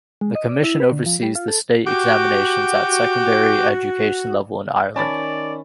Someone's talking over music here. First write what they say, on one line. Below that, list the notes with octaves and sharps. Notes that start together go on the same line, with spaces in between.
The commission oversees the state examinations at secondary education level in Ireland.
G#3
D#5
D5
E4
B4
D3
F3
G3
F4
A4
F#4 G4 D6
D#3 C#4 D5 A5 B5 A6